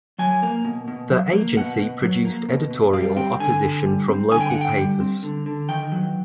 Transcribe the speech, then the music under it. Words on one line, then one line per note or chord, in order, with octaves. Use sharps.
The agency produced editorial opposition from local papers.
F#3 G#5
A#3
B2
B2
F#3
A#3
B2 F#5
B2
F#3
A#3
B2
B2
G3 F5
C4 G5
D3 G#5
D3
G3
C4
D3 G#5
G5
D3 F#5
G5
G3
C4
D3
D3
D#3 G5
F#3